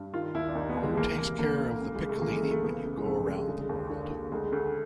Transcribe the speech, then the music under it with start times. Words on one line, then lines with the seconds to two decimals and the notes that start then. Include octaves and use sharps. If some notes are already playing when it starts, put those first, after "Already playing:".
Who takes care of the piccolini when you go around the world?
Already playing: G2
0.13 D#3 F4
0.34 D#2 E4
0.48 D4
0.55 D#2 D#4
0.69 B3
0.77 D#2
0.83 G#3
0.97 E3 A#3
1.17 C3 A#3
1.39 D2 A#3
1.60 D2
1.81 C#2
1.95 G#3
2.01 C#3
2.09 A3
2.22 E3 A#3
2.30 G#3
2.37 A3
2.43 C#2
2.51 A3
2.64 C#3 B3
2.85 C#3
2.97 G#3
3.05 F2 A3
3.26 C#3 G#3
3.37 A3
3.48 D3 G#3
3.69 D#2
3.90 D3
4.10 D3
4.32 D2 G#3
4.52 D2 A3